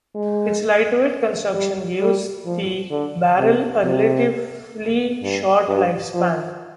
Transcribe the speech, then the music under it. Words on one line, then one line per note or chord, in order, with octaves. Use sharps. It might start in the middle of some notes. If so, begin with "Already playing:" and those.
Its lightweight construction gives the barrel a relatively short lifespan.
G#3
G3
G3
F3
D3
C3
C3
G2
G2
F3